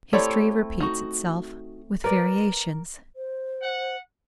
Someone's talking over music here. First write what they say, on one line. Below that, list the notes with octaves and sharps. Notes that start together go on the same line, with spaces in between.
History repeats itself--with variations.
A3 C4 E4 G4 C#5 D5
D#4 F#4
A#4 B4 D5
C5
F#5